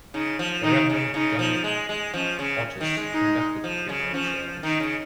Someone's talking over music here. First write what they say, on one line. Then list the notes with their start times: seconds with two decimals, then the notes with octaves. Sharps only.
The Reverend Johnny Otis conducted the funeral service.
0.14 C#3 D#4
0.39 F3
0.64 D#3 D#4
0.90 C#3
1.14 C#3 D#4
1.39 F3
1.64 G#3
1.89 G#3
2.14 F3 C#4
2.39 C#3
2.81 D#3
2.97 G#3
3.13 D#4
3.64 F3
3.89 C#3
4.14 F3 C#4
4.63 D#3 D#4
4.80 C#3